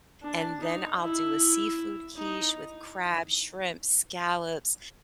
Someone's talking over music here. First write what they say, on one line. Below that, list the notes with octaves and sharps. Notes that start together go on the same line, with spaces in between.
And then I'll do a seafood quiche with crab, shrimp, scallops.
D4
D#4
E4
D#4